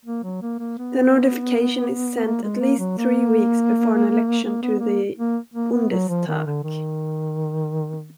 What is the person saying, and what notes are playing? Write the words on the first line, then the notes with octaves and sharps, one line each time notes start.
The notification is sent at least three weeks before an election to the" Bundestag".
A#3
F#3
A#3
A#3
B3
A#3
G#3
A#3
F#3
A#3
A#3
B3
A#3
A#3
A#3
B3
F#3
F3
D#3
D3
D#3